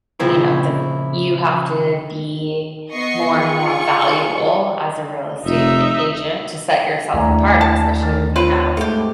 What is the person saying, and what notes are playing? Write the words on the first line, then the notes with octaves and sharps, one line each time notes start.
you know, the you have to be more and more valuable as a real estate a agent to set yourself apart, especially when you have
A#2 C#3 F3 C4 C#4 E4
B3 D#5 C#6 C7
F4 G#4 C#6
F1 D#4 E5
D#2 A3 D4 E4 G#5 A#5
A5
D#3 F6 A6
C4 F4 B4 C#5
G#2 B2 A3 G4